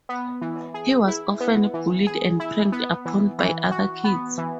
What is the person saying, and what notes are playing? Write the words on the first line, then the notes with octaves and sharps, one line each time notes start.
He was often bullied and pranked upon by other kids.
B3
E3
G#4
E4
B3
E3
G#4
E4
B3
E3
E3
F#4
B3
E3